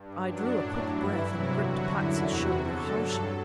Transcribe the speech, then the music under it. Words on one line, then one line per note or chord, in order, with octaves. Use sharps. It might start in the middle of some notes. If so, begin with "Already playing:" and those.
I drew a quick breath and gripped Platts' shoulder harshly.
Already playing: G2
F#2 F#3 D4
A2 F#3
G2 E3 E4
E2 C3 F#3
G2 D3 F#3 F#4
F#2 D3 F#3 E4
E2 C3 F#3 F#4
E2 D3 F#3 A4
G2 F#3 A4